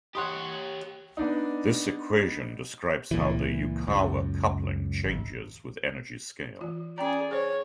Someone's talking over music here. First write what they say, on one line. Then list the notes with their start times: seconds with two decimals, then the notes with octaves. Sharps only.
This equation describes how the Yukawa coupling changes with energy scale .
0.15 G4 C#5 F#5 C6 D#6
1.17 B3 D4 D#4
3.11 C#2 A#2 E3
3.87 C#2 F#2
5.04 G#1
6.61 E3 F4
6.98 C#4 G#4 D5 G5 A#5
7.31 G#4 C5 C#5